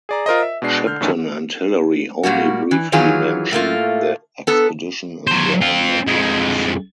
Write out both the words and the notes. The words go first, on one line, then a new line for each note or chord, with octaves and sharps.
Shipton and Hillary only briefly mention the expedition in their memoirs.
G#4 D5 A#5
F4 A#4 C5 D#5
E5
B2 G#3 D4 C7
D3 F6 G6
F2 D3 D#3 A3 C#4
A#2 G3 A#3 F#4
E3
D#3 E3 F#3 F4 G#4
A2 A3 A#3 F4
B3 A4
F#3 C5
C4 F4
F2 G#3